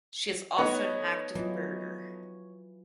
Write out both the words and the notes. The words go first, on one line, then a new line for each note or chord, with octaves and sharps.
She is also an active birder.
A3 B3 D#4 B4 C#5
E3 F#3 F4